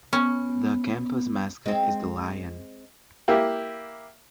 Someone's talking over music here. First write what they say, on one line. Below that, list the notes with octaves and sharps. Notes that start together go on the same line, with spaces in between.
The campus mascot is the lion.
B3 C#4
G#3 C4
A#3 E4 G4